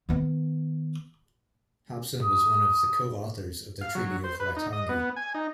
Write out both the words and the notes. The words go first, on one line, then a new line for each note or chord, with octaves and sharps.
Hobson was one of the co-authors of the Treaty of Waitangi.
D#3 B3
D#6
F5
F#3
C5
B4
D#4
D#5
B3
G#5
D#4